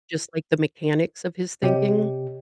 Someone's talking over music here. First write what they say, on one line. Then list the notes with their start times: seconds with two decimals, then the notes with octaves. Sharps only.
just like the mechanics of his thinking
1.63 C3 G4 C#5 D#5